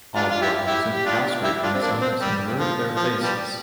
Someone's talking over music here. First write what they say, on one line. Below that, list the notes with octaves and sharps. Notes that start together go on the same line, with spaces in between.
All who are present prostrate themselves and avert their faces.
D4 F4
F4
E4 G4
E4 G4
G4
D4 F4
E4 G4
D4 F4
C4
A#3 D4
C4
G3
F3
F3
G3